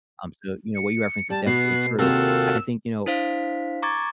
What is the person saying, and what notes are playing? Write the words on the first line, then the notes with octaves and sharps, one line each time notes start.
Um, so, you know, what you referenced is definitely true. I think, you know,
C#7
G3 A5
B2 B3 F#4 C7
D#2 C3 F4 F#4 A4 A#4 E6
D4 E4 C5 F5 B6
A#5 C#6 D6 G#6 A6